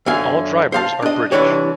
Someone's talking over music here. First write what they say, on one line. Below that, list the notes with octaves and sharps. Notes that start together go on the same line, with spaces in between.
All drivers are British.
F#2 D3 F#3 F5 G#5
C5 F5 A5
D4 D#5
C2 E3 D4 C#5